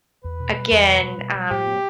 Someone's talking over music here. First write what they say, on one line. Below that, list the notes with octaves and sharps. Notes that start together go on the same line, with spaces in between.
again, um,
E2 B4
B2
G3
E2
B2
G3
B2
G3
A2 G4
B3